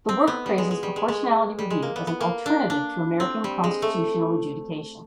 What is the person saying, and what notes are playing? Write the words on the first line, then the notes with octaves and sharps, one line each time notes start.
The work praises proportionality review as an alternative to American constitutional adjudication.
C4
B3
G3
G#3
G#3
G3
G#3
G#3
G3
G#3
A#3
B3
B3
A#3
D4
D4
C4
G3
G#3
A3